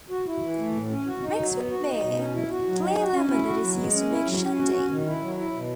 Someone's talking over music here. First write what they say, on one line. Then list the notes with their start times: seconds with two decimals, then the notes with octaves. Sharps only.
Mixed with beer, clear lemonade is used to make shandy.
0.10 F#4
0.26 E4
0.43 E3
0.58 A3
0.74 A2
0.90 C#4
1.06 F#4
1.23 D#4
1.38 F#3
1.55 B3
1.70 F#4
1.86 D#4
2.02 B2
2.18 C#4
2.34 E4
2.51 F#4
2.66 F#3
2.82 D#4
2.98 F#4
3.14 C#4
3.30 E4
3.46 F#4
3.62 F#3
3.78 G#3
3.94 C#4
4.10 E4
4.26 F#3
4.42 C#4
4.58 F#4
4.74 C#4
4.90 D#3
5.06 E4
5.22 F#3
5.37 E4
5.54 B2